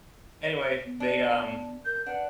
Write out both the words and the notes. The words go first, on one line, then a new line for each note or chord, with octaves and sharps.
anyway, they, um
C#5
B3
D4
A#4 G6
D4 B4 F#5